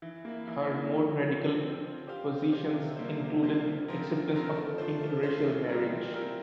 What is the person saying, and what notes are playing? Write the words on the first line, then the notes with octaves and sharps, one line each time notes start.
Her more radical positions included acceptance of interracial marriage.
E3
A#3 E4
E3
A#3 E4
F3
C4 F4
F3
C4 F4
C4
G4 C5 F5
C4
G4 C5 F5
C3
G3 A#3 F4 C5
C3
G3 A#3 F4 C5
D3
F3 C4 F4 A#4
D3
F3 C4 F4 A#4
A3
D4 F4 C5
A3
D4 F4 C5
E3
G3 C4 F4 A#4
E3
G3 C4 F4 A#4